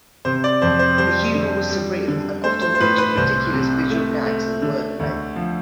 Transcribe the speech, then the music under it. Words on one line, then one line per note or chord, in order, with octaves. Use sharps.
The humour was surreal and often featured ridiculous visual gags and wordplay.
C3 C5
D5
F2 C5
C5
G3 C5
D3
G3
D3
A3 C5
C5
C5
A2 B4
B4
C2 C5
C3
A3
A3
D3
D2
F3